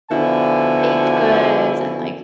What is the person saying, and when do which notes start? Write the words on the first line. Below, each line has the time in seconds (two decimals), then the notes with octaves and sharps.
baked goods and, like,
0.11 B2 D3 F3 E4 G#5